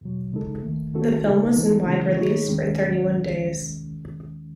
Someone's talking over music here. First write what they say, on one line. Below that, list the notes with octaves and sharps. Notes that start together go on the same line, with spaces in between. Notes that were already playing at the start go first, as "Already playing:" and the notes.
The film was in wide release for thirty-one days.
E2 B2 F#3
C#3 G#3 D#4 A4
D#2 D#3 A3
D#3 A3 C#4 F#4 A4
C#3 G#3 D#4 A4
E3 B3 D#4 A4
C#3 E3 G#3 C#4
D#3 A3 D#4 G#4 C#5
D#2 D#3 G#3 C#4